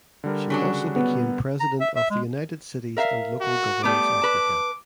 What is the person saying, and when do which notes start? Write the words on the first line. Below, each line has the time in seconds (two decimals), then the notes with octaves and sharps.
She also became President of United Cities and Local Governments Africa.
0.24 D3 G3 A#4
0.50 C#3 F#3 D4
0.96 B3
1.60 A#5
1.81 E5
1.96 E5
2.10 G#3
2.97 A#4 E5 F5
3.42 F#4
3.83 G3 A3 B3 D6
4.22 B4 A5